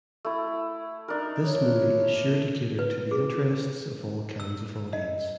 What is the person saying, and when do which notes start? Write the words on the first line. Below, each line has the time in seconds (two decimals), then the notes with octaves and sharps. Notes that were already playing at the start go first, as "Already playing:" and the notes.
This movie is sure to cater to the interests of all kinds of audience.
0.25 A3 E4
1.08 D4 D#4 A#4
1.45 C#5
2.79 B4
3.11 G#4
4.40 E6
4.93 D#5